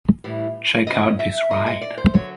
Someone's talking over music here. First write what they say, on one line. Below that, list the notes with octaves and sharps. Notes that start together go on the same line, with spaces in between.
Check Out This Ride!
A2 E3 G3
F2 C#3 F3 C#4 D#5
E5
G#2 F3 G#3 D#5
D#5
D5
C5
D3 F#3 C#5